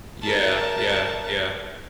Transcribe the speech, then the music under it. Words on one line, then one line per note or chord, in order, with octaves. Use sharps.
Yeah, yeah, yeah.
A#4 A5